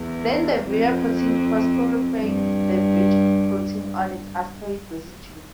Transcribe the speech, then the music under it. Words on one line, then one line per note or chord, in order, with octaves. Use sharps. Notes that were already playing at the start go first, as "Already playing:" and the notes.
Then the virA protein phosphorylates the virG protein on its aspartate residue.
Already playing: E2
F2
G2